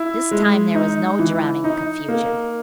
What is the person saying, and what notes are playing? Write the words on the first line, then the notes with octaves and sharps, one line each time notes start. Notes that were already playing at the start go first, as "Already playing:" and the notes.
This time there was no drowning the confusion.
Already playing: E4
G#3
D#4
E3
D#4
A#3